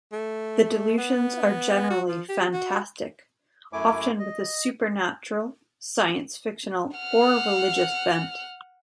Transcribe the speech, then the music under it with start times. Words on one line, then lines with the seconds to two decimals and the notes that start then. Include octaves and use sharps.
The delusions are generally fantastic, often with a supernatural, science-fictional, or religious bent.
0.13 A3
0.98 B3
1.90 F#4
2.08 F3
2.29 G4
2.53 F#4
3.73 F#2 A3 E4 G#5 D6
4.19 D#5
6.97 F#5 F6